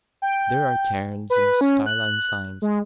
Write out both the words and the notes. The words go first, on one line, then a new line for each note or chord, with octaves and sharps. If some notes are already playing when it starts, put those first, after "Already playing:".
There are cairns and skyline signs.
G5
B4
C#4
F#6
G#3